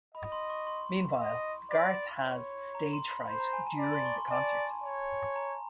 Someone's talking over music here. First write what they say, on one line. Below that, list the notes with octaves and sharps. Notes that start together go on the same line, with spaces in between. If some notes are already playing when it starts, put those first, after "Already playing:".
Meanwhile, Garth has stage fright during the concert.
D#5 B5
C6
C#6
C6
D#5
D5 B5
C#5
A#5
C6
B5
C5 B5
A#5
G#5
A5
D5 B5
C6
C#6
C6
G#5
D5 A5
C#5
A#5